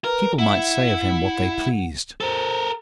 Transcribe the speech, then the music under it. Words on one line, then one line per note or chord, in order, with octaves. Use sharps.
People might say of him what they pleased.
A#4 B4
E4 F#5
A4 A#4 C5